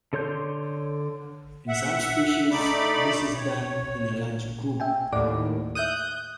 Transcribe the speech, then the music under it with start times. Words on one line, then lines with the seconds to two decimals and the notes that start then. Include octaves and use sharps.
In some species, this is done in a large group.
0.13 D3 A4 C#5 C6 G6
1.68 E5 F#5
2.51 A3 D#4 D5 B5 D6
3.34 C#5
4.80 E5 G5 G#5
5.13 D#2 A2 D5 F#5 D6
5.75 E5 D#6 F#6 G6 D#7